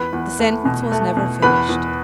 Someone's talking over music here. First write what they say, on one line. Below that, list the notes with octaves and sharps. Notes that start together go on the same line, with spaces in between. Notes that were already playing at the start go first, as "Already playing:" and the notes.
The sentence was never finished.
Already playing: E2 B4 B5
E2
A3
B2
A3
B2
E2 B4 B5
E2